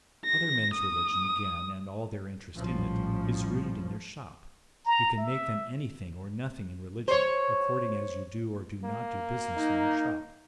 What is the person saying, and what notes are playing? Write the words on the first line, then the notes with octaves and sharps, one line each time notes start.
Other men's religion, again, and all their interest in it, is rooted in their shop; you can make them anything or nothing in religion, according as you do or do not do business in their shop.
A#6
D#6
A#1 A2 F3 G3 C#4
A#5
E5
C5 C#5
A#3
D#4